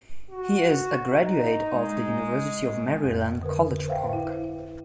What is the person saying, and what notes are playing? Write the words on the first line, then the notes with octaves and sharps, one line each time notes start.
He is a graduate of the University of Maryland, College Park.
F#4
D#4
G#3
F2
D3 A#4 B4
B4 C5 E5 F5 G5
E4